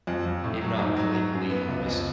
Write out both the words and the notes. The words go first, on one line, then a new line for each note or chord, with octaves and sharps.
maybe not blatantly honest.
F2
F2
A2
F#3
G#2
F#3
F#3
F#2
B3
C#2
F2